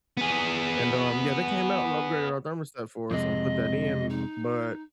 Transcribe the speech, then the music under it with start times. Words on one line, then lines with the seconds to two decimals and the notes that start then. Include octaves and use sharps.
and, um, yeah, they came out and upgraded our thermostat for us and put that in, but,
0.17 B3 G#4
3.11 F2 C3 G#3 D#5
4.09 D#4